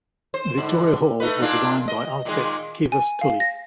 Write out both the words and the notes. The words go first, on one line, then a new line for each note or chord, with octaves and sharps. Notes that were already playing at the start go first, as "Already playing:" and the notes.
Victoria Hall was designed by architect Kivas Tully.
C5
G#2 D3
A3 D#4 B4
A#2 D4 F4
D#5
A#2 D#3 G#3
G#5
F5
A#6